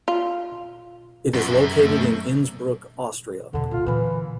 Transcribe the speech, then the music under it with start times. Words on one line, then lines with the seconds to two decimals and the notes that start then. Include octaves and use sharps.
It is located in Innsbruck, Austria.
0.08 F4
1.34 F#2 B3 F4
1.46 B4 E5
1.79 D#2 A3
3.53 E2 B2 D3
3.71 D1 F4
3.86 A#2 D3 E3